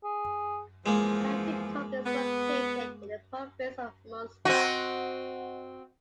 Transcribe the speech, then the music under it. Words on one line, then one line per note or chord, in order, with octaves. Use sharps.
County Cork is located in the province of Munster.
G#4
E2 E3 F3 G#3 A#3
B3
C4 F#4 D#5 F#5